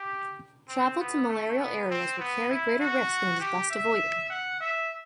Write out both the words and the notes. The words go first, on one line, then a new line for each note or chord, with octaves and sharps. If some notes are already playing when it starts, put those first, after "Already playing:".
Travel to malarial areas will carry greater risks and is best avoided.
Already playing: G4
C4
B3
A3
B3
C4
B3
E4
F#4
G4
E5
F#5
E5